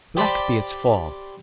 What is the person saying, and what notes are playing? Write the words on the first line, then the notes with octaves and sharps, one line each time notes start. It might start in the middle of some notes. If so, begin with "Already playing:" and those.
Black be its fall!
G4 C5 D5 B5